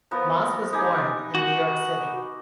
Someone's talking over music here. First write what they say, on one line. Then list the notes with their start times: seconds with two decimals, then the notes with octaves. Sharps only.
Moss was born in New York City.
0.11 F3 B3 A#4
0.73 D#4 G4 G#5
1.35 F#4